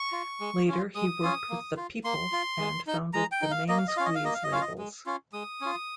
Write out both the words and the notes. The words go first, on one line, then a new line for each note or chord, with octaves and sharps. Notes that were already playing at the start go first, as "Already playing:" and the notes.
Later, he worked with the "People" and founded the "Main Squeeze" labels.
Already playing: C#6
F4
G#3
C#4 F4
G#3 D#6
C#4 F4
A#3
F4
A#3 C6
F4
G#3
D#4
G#3 A#5
G5
D#4
F5
A#3 D#5
F5
D#5
C#4 F4 F5
D#5
F5
A#3 D#5
F5
D#5
C#4 F4 F5
D#5
G#3
C#4 F4
G#3 D#6
C#4 F4